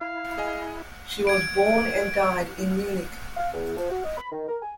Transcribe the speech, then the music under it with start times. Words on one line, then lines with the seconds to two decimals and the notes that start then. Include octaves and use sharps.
She was born and died in Munich.
0.01 E4 F5
0.38 G#4 D#5 G#5
1.27 G#6 D7
3.37 F5
3.54 E2
3.77 F3
3.90 F#4
4.04 D#5
4.17 B5
4.31 D#3
4.48 A#4
4.62 G#5